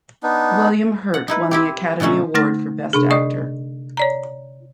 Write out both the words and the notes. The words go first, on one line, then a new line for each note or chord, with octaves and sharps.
William Hurt won the Academy Award for Best Actor.
B3 D4 D#4
F#5
D#4 E4 B4
C4 E4 G4
B2 D3 F#3 A3 C#4
D3 A3 D#4 F6 A6 A#6
C3 D4 G#4
D5 D#5 C#6 D#6
C#5 D5 A#5